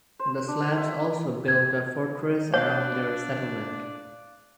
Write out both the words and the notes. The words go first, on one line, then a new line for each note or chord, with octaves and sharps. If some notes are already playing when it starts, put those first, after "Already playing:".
The Slavs also built a fortress around their settlement.
C5
D4
E5
G#6
D4 C#5 D5 F5 D6 F#6